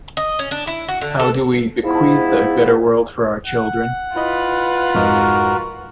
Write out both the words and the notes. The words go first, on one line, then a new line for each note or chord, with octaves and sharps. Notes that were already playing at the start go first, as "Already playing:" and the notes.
How do we bequeath a better world for our children?
D#5
C#4
D4
E4
F#4
D3
A4
G#2 F3 B3 E4
F#5
E4 F4 B4 D#5 B5
F2 G#2 F#4 A#4 D#5